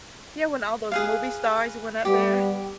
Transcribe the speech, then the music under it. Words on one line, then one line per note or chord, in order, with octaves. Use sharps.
Yeah, when all those movie stars went up there.
G#4 B4 F5
G3 B3 G4